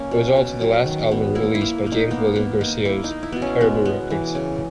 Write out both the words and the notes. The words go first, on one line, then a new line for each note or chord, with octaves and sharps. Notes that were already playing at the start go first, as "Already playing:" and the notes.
It was also the last album released by James William Guercio's Caribou Records.
Already playing: A#3 C#4
B2
B2
F#3
D#3
B3
A#3 E4
E4
A#3
A#3
D#4
A#3 B3
A#3 B3
A#3 D#4
A#3 E4
D#4
A#3
E4
B2 B3
C#4
G#3 B3
B3
E3
C#3